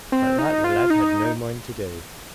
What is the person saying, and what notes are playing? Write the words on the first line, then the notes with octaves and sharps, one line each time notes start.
But that the lad had no mind to do.
C4
D#4
F4
D#4